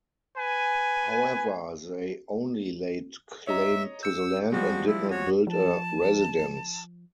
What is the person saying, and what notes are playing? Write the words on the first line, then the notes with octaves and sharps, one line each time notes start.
However, they only laid claim to the land and did not build a residence.
B4 G#5
C#5 D#5 E5 A#5
E6 G6 C#7
F3 G3 G#3 F#4
E4
F#4 C#5
F3 A5